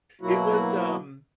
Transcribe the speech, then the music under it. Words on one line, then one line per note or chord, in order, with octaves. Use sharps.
It was, um
B2 F#3 A#3 E4 F#4